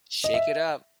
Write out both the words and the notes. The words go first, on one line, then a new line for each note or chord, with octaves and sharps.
Shake it up.
D#5
E5